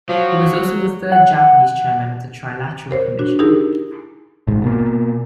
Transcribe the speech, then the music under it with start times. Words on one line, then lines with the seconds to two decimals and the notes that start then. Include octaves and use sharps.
He was also the third Japanese chairman of the Trilateral Commission.
0.09 F3 F#3
1.12 F#5
2.91 A#4 C5 C#5
3.19 D4 F#4
3.39 D#4 E4 G4 G#4 A#4
4.47 A1 G#2
4.64 B2 A#3